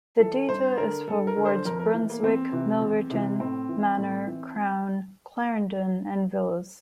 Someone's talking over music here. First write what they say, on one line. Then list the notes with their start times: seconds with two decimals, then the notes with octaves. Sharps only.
The data is for wards "Brunswick", "Milverton", "Manor", "Crown", "Clarendon" and "Willes".
0.19 E3 A4
0.48 G2 C5
0.78 D3 A#4
1.08 G2 A4
1.27 A#4
1.37 D3
1.45 C5
1.65 F2 A#4
1.80 A#4
1.94 E3
2.10 A#3
2.23 E2 C4
2.52 C3 E3
2.82 E2
3.11 C3 E3
3.40 A2 C4
3.69 E3
3.98 A2
4.27 E3